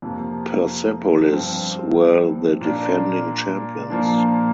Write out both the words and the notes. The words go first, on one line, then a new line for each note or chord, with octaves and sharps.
Persepolis were the defending champions.
F2 C3 F3 A#3
G2 F3 C4
A#2 A#3 D4
A#2 F3 A#3 D4